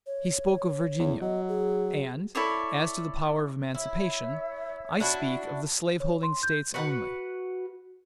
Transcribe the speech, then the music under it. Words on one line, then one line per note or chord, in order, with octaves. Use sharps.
He spoke of Virginia; and, as to the power of emancipation, I speak of the slave holding States only.
C#5
E2
F#3 D#5
G#4
E4 A4 C#5 D5
E4 C#5 E5
D4 E4 F#4
C#5
C6
G6
F#4 B4 F#5